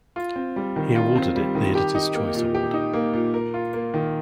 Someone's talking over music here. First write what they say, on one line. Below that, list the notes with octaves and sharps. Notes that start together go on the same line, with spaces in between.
He awarded it the Editor's Choice award.
F4
C4
G3
D#3
F4
C4
G3
D#3
G4
D#4
A#3
A#2
G4
D#4
A#3
A#2
A#4
F4
A#3
D#3